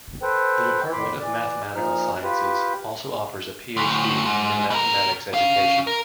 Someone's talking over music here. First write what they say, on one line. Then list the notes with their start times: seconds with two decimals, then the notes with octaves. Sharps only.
The Department of Mathematical Sciences also offers a Ph.D. in Mathematics Education.
0.22 A4 B4 C5 G5
0.92 F2 A2 B5 C6 D6
1.20 E3 D5
1.75 A#2 F3 D#4 F6
2.23 F4 G4 B4
3.77 D2 A2
4.25 G#2
4.70 B2 A#4
5.34 C#4 F5
5.87 A#4